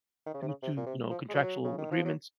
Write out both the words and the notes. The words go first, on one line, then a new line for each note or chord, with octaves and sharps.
due to, you know, contractual agreements
D#3
C#3
C3
C#3
C3
A#2
C3
F3
G#3
F#3
C#3
D#3
F3
F#3